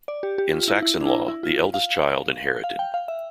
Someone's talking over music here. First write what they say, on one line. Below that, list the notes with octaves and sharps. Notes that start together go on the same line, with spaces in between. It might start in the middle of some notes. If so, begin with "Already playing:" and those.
In Saxon law, the eldest child inherited.
D5
G4
G4
F4
E4
E4
D4
E4
E4
F4
F5
F5
G5
F5
E5